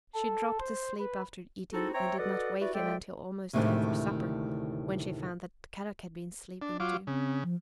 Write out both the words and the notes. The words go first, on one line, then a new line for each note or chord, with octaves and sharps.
She dropped asleep after eating and did not waken until almost time for supper, when she found that Kadok had been sleeping too.
A4
C5
B4
C4 D#4 E4 F#4 G#4 A4
C4 C#5 E5 G5 A#5
F#4 A4 B4 D5 D#5 F#5
E4 F#4 G4 B4 D5
C2 G#3 A4 D5 E5 G5
D2 A2 C3 D#3 G#3 D4
D4
F#3 F4 D6
C#3 C4
F3